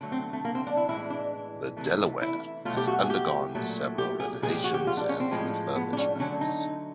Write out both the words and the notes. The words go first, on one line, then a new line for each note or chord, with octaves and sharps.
The "Delaware" has undergone several renovations and refurbishments.
D3 F#3 A3
C4
A3
A#3
C4
D4
E4
A2 E3 G#3 E4
D4
C3 E3 A3
E4
B2 F#3 A3 F4
G4
F#4
G#4
G4
A#2 F#3 A3
G4
G#4
A#2 F3 G#3 G#4
G4
F#4
G4
F4
D4
C#4
C4
A2 F3 G#3
B3
D4
C#4
D3 F#3 A3 C#4
D#4